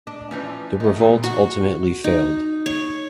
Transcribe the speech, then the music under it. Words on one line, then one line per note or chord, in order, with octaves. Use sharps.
The revolt ultimately failed.
D4
E3 F3 C#4
D#3 A3
E2 A#2 G3
F#4
D#4
C#5